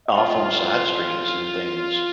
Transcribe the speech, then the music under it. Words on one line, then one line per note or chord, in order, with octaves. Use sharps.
off on side streets and things,
A2 F3 C4 F4